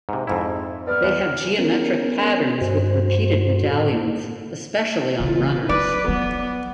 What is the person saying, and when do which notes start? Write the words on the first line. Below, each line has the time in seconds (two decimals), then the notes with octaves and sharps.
They have geometric patterns with repeated medallions, especially on runners.
0.09 G#2 C3
0.27 F2 G#2 E4
0.87 B3 D5 F6
1.04 E2 B4
1.58 B3 C#4 A#4
2.61 G2 F#4 C5
3.71 A2 A4
3.92 A#3
5.20 C#3 E3 F4
5.69 F#3 B4 D5
6.08 F3 F#3 B3